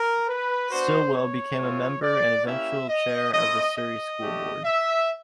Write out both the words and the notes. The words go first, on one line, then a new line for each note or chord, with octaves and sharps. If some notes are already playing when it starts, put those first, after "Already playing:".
Stilwell became a member and eventual chair of the Surrey School Board.
Already playing: A#4
B4
B3 D4 F#4 C5
C#5
A3 C4 F4
D5
A#3 C#4 E4 G4 E5
D#5
A3 C4 E4 D#5
D#5
A3 D4 G4
E5